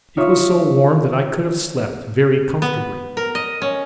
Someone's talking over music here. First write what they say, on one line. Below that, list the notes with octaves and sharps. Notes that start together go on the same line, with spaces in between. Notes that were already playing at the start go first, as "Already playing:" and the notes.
It was so warm that I could have slept very comfortably.
D#4 F4 C#5 E5
B3
A#4
D#5
C#4